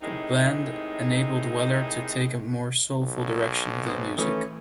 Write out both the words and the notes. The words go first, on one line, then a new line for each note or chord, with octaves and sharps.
The band enabled Weller to take a more soulful direction with his music.
A2 C3 D#3 G#3 D#4
B1
B3 C5
D#3 E3 A3 C#4